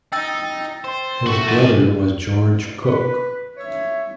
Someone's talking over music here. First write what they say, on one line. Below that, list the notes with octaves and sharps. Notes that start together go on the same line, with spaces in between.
His brother was George Cook.
D#4 G5 E6 A6
C5 C6
A3 F#4 C#6
E3 A5 D#7
B4
C#5 E5